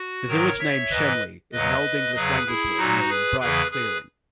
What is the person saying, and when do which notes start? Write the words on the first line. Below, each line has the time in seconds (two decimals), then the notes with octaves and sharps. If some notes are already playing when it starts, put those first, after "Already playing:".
The village name 'Shenley' is an Old English language word meaning 'bright clearing'.
Already playing: F#4
0.28 G#2 D#3 F#3 A#4 C#5
0.60 C#5 E5
0.90 G#2 E3 B4 D#5
1.53 E2 C#3 F#3 B4 D#5
2.15 E2 C#3 F#3 G#4 B4
2.47 E4 G#4
2.77 A#2 F#3 D#4 F#4
3.09 G#4 B4
3.40 E2 C#3 E3 G#4 B4
3.71 G#4 B4